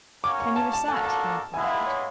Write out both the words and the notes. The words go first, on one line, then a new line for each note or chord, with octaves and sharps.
"Can you recite?" he inquired.
C#4 F#4 A#4 C#5 F5 D6
C#6
A5
A5
A#3 D4 F#4 A4 G#5
A5
G#3 B3 E4 G#5
F5
C#5